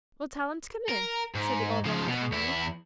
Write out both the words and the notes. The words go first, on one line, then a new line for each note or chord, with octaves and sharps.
"Well, tell him to come in," said the old woman kindly.
A#4
G#2
C#3 F3
B2
E2 E4